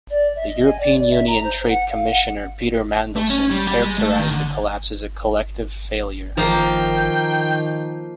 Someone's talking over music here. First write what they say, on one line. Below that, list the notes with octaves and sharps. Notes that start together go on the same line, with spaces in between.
The European Union Trade Commissioner Peter Mandelson characterized the collapse as a "collective failure".
D5
E5
D#5
G#5
D5
D5
E5
A#5
C5
F#5
F5
F#5
A3
C#4
G3
G3
G#3
A3
D#3
D3
D#3 F3 A#3 G5